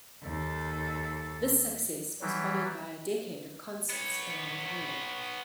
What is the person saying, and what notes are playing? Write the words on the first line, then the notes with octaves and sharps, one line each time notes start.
This success was followed by a decade of concerts around the world.
D#2 A4
E3 F#3 G3
B3 C#5